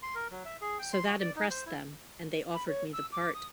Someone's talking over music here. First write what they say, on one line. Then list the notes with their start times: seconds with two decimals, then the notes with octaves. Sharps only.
So that impressed them and they offered me the part.
0.02 C6
0.15 A#4
0.31 F#3
0.45 E5
0.61 G#4
0.79 G5
0.93 C6
1.06 F#4
1.20 D5
1.36 D#4
1.50 C5
1.66 E4
2.53 B5
2.67 C#5
2.92 E6
3.12 D6
3.34 D#6